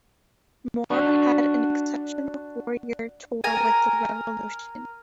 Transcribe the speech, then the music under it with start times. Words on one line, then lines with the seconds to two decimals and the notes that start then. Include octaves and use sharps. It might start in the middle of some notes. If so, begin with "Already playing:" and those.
Moore had an exceptional four-year tour with the Revolution.
0.91 D4 F#4
3.44 A#4 G#5